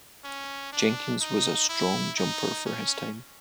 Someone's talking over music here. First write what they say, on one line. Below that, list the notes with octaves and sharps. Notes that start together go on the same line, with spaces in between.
Jenkins was a strong jumper for his time.
C#4
D4
D#4
E4
D#4
C#4